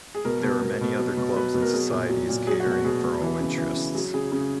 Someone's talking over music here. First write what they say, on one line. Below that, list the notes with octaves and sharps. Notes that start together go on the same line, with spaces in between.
There are many other clubs and societies catering for all interests.
G#4
B2 A#4
B2
B2 A#4
B2
F#3
B2
F#3 B4
B2
A#4
F#3 G#4
A#2
F#3
A#2
F#3 G#4
F#4
B2
F#4
B2 G#4
B2
E3
C#3
E3
C#3
F#3 G#4
C#3 G#4
C#3 G#4